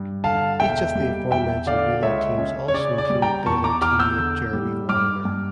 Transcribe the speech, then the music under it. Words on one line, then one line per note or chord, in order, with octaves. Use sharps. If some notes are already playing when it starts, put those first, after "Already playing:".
Each of the aforementioned relay teams also included Baylor teammate Jeremy Wariner.
Already playing: G2
D3 F5 A5
E1 E5 G5
G3
E2 E5 G5
D3 D5 F5
C#2 C#5 E5
C#4
C#5
C#3 D5
D5
G3
G5 A#5
E2 A5 C#6
A#5 D6
E2 D6 F6
E6 G6
D3
G3
G2 D6 F6
G2